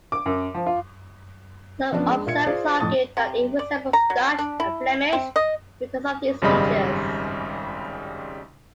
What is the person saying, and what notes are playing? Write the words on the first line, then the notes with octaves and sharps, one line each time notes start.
Some observers argue that it resembles Dutch and Flemish because of these features.
D6
F#2
F3
F4
F3 B3 C#4 D4
G#3 D4
A#2 F4 E5 G#6 C#7
F4 G#4 C5 D5
F2 A2 A3 A5 D#6 A6
C3
D5
A#5
F#3
D4
E4
C4
D#5
G#1 F#2 C#3 G3 D#5 B5